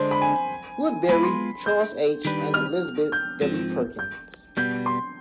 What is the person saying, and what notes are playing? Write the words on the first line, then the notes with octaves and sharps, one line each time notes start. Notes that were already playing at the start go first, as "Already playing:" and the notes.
Woodbury, Charles H. and Elizabeth W. Perkins.
Already playing: D3 G#3 D4 C5
B5
G#5
G#5
G#3 B3 F4 G#4 B4 B5
C6
G6
D#3 G3 D4 G4 B4
F6
G6
G#2 F3 C4
G6
B2 G3 B3 G6
C6